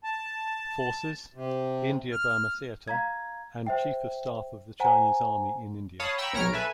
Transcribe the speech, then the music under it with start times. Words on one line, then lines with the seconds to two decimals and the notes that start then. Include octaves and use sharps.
Forces, India-Burma Theater, and Chief of Staff of the Chinese Army in India.
0.04 A5
1.35 C3
2.12 F6
2.88 F5 A#5 G#6
3.67 C5 E5 G5
4.80 C5 F#5 G#5 A#5
6.00 C#5 F5 A5 B5 D#6
6.18 G5 A#5 B5 C#6 E6
6.33 B1 C#5 A#5 F6 D7
6.52 A4 B4 E5 G#5